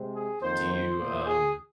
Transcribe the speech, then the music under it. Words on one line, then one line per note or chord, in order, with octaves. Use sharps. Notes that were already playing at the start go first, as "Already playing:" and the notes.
Do you, um,
Already playing: C3 G#3 C4
G#4
F2 D#3 A#3 C5
C5
A#2 A#3
G#4